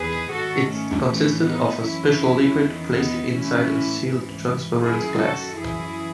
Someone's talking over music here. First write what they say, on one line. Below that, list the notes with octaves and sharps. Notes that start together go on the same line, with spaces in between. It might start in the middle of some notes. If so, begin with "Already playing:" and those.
It consisted of a special liquid placed inside a sealed transparent glass.
Already playing: E2 D#3 G#4 B4
G#2 D#3 F#4 A4
A3 C#4
A2 E3 A3 C#4
B3 D#4
F#2 E3 C#4 E4
E2 D#3
B3 D#4
A2 E3 C#4 E4
G#2 E3
F#2 D#3 E4 G#4
F#4 A4
F#2 E3 E4 G#4